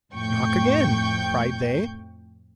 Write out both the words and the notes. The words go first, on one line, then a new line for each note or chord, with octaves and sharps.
'Knock again!' cried they.
F2 A2 G5 C#6 G6